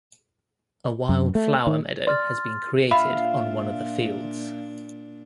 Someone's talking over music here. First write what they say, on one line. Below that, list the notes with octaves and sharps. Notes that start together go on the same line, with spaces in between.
A wild flower meadow has been created on one of the fields.
F#2
A3
D#3
D5 C6 F6 A6
A#2 D4 F4 E5 B5